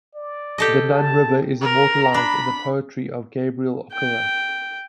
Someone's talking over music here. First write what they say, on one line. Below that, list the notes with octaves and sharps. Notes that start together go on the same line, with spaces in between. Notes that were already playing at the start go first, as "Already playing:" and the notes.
The Nun River is immortalised in the poetry of Gabriel Okara.
D5
G4 A4 D#5
A5
A#4 A#5
D4 B5
G5